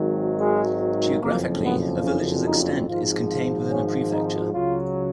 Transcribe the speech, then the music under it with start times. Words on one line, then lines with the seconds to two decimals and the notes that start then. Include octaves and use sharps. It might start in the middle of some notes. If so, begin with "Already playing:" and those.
Geographically, a village's extent is contained within a prefecture.
Already playing: G#1 G#2 D#3 F#3
0.38 G#3
1.21 F#1 F2 F3 A#3
1.63 B3
2.04 C#4
2.46 D#4
2.87 G#1 G#2 F3 F4
3.28 F4
3.69 C#4
4.11 D#4
4.52 C#2 C#3 F#3 F4